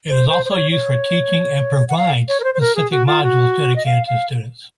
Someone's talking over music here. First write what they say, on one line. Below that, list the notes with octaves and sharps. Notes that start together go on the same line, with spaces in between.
It is also used for teaching, and provides specific modules dedicated to students.
C5
C5
C5
C#5
C#5
F#5
F5
C#5
A#4
C5
C5
A#4
G#4
F#4
F4
F#4
D#5
F5
F5